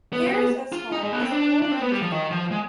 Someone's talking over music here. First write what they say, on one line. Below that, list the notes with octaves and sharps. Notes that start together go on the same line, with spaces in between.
Haris Azhar was born in Jakarta.
B3
C4
B3
F4
D#4
G#3
B3
C4
D4
D4
C4
B3
G3
F3
D#3
F3
G#3